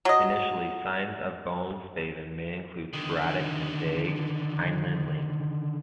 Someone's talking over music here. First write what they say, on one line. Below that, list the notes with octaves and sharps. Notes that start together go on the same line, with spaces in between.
Initially, signs of bone spavin may include sporadic and vague hindlimb lameness.
F#3 D#5
D3 D#3